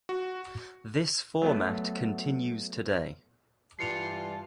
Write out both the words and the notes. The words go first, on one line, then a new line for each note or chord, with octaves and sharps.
This format continues today.
F#4
F#3 A3 B3
G2 E3 G3 F4 A5 C7 C#7 F7